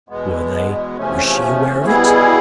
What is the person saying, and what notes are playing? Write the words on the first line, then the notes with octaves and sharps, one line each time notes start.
"Were they--was she--aware of it?"
E2 B2 G#3 B3
E2 C3 F3 A3 C#4
B2 G3 B3 E4 G#4